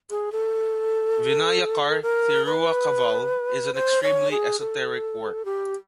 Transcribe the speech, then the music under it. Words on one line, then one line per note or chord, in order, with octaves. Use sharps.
Vinayakar Thiruakaval is an extremely esoteric work.
G#4
A4
A#4
B4
C5
C#5
G#4
A4
G4